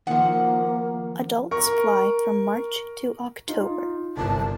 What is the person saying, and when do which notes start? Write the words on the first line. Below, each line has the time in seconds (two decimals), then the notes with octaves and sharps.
Adults fly from March to October.
0.07 D#3 F3 A#3 F#5
1.51 A#4 C#6
3.48 D#4 F4
4.17 G1 C2 A5